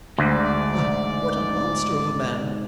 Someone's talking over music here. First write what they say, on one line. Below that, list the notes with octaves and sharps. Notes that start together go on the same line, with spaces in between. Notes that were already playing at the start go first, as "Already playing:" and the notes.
Ah! what a monster of a man!
D2 G#2 D5